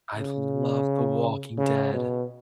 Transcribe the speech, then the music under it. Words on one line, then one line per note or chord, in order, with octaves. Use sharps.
I love The Walking Dead.
C#3
C#3
B2